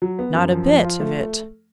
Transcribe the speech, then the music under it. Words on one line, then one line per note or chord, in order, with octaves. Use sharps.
'Not a bit of it.
F#3
B3
F#2
F3
F3
F4
A3